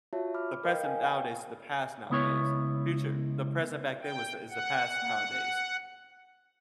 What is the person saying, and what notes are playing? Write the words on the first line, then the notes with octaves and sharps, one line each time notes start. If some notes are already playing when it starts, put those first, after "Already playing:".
The present nowadays is the past nowadays. Future The present back then was is the past nowadays.
F4 F#4 C#5 E5 A5
B5 D6 F6
A#4 B4 D#5 F5 G5
G#5
G5
C#2 B3 E4 C#5
G5
F#5